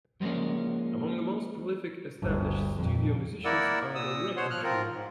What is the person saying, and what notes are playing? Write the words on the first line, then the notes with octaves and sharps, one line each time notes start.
Among the most prolific established studio musicians are The Wrecking Crew.
F3 G3 G#3 A#3 C#4
G1 D2
F2 A#2
A#3 E4 A#4 D5 F#5 E6
A#2 D#6 E6
B2 C5 C#5 F#5 C6
F3 F6 F#6
F3 C4 F4 A#4
G#2